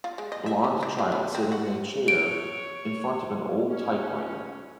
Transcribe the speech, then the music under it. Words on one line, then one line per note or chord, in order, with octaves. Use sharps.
Blond child sitting in a chair in front of an old typewriter.
F4
G#3
D#5
E5
C#4
E3
G#3
B3
C4
F#4
C#5 D7
C#4